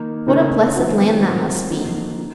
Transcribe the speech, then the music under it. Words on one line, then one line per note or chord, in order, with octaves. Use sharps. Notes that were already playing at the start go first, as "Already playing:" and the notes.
What a blessed land that must be!
Already playing: D#3 A#3 D#4
C#3 A3 D#4 A#4
D#3 F#3 C4 F#4
F#3 C4 F4 A#4
F3 A#3 D#4 F#4 A4
D#4